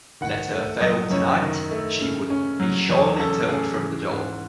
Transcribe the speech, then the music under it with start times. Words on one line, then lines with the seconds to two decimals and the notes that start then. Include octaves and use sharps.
Let her fail tonight, she would be surely turned from the door.
0.21 D#3 F#5
0.51 A3
0.81 F#3 D#5
1.10 F#2 C#5
1.41 D#3
1.71 A3
2.01 C#3
2.30 C#4
2.60 F#3
2.89 E2 C#5
3.20 C#3 A4
3.49 C#4 G#4
3.79 E3
4.10 G#2